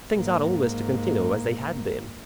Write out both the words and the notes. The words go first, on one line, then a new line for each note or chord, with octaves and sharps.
Things ought always to continue as they had been.
G#2 A#3